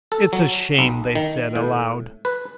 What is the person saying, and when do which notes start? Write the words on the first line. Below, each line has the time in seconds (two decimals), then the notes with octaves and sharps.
"It's a shame!" they said, aloud.
0.12 A4
0.33 F#3
0.79 B1
1.15 D#3
1.55 A2
2.25 B4